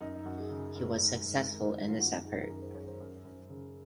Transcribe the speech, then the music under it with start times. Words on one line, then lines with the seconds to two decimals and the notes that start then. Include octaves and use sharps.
He was successful in this effort.
0.01 F#2 D#4
0.13 D#4
0.25 F#2 F#4
0.38 G#4
0.50 C#3
0.75 F#2
1.00 G#2
1.25 G#2
1.50 D#3 A#4
1.64 C5
1.75 D#3 A#4
1.88 F4
2.00 F#2 F#4
2.25 D#3 G#4
2.41 A#4
2.49 F#2 G#4
2.62 C5
2.74 F#2 C#5
2.87 C5
3.00 F#2
3.25 F#2
3.49 C#3